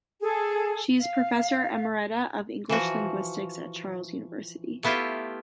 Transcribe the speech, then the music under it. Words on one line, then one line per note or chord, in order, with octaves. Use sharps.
She is Professor Emerita of English Linguistics at Charles University.
G#4 A4
F5
E3 F3 F#4
A3 B3 E4 F4 G4